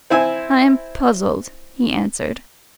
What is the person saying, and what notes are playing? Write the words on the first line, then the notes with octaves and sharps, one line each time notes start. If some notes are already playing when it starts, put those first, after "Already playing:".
"I am puzzled," he answered.
C4 E4 G#5 E6